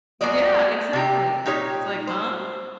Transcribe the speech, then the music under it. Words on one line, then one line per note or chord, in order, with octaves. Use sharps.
Yeah, exactly. It's like, huh?
F#3 G#3 A#3 F#4 D5 D#5
C3 G4
A#2 D#4 G4 C#5
C5